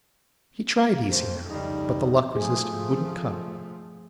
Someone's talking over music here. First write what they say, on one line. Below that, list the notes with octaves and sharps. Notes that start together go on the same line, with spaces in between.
He tried easy now; but the luck resisted; wouldn't come.
F2 C5
C#2 G3 D#4
F3 A3 G#4